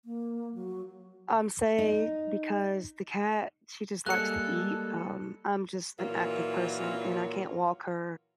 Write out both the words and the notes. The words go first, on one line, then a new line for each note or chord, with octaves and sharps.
um, say, because the cat, she just likes to eat, um, I’m just an active person, and I can’t walk her,
A#3
F#3
D#4
G3 G#3 A#3 A4 F#6 C#7
A#2 E3 F#3 F4 A#4